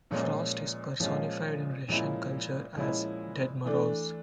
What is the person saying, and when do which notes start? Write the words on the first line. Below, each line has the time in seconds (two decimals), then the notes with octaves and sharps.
Frost is personified in Russian culture as Ded Moroz.
0.11 A#2 F3 G#3 C#4
1.00 A#2 F3 G#3 C#4
1.88 A#2 F3 G#3 C#4 E4
2.76 A#2 F3 G#3 C#4 E4
3.65 E3 A3 D4